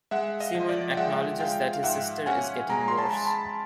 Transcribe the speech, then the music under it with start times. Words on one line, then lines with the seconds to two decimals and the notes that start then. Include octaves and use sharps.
Simon acknowledges that his sister is getting worse.
0.11 G#3 E5 F#5
0.40 D#5 F5
0.55 F3
0.69 D5
0.91 G5
0.97 G#3 E5 F#5
1.40 G#3 F5 G5
1.74 F5
1.83 G#2 E5 F#5
2.26 C#4 F#5 G#5
2.69 G#3 G#5 A#5
2.88 C6
2.98 A5 B5
3.13 G#3
3.26 A5 B5